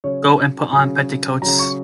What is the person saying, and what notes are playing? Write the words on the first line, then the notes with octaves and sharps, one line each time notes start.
Go and put on petticoats.
C#3 F#3 C#5
C#3 F#3
C#3 F#3 A#5
C#6